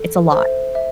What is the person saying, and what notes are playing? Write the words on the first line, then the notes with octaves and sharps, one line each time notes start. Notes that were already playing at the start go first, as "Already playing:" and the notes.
it's a lot.
Already playing: A4
C5 E5
E5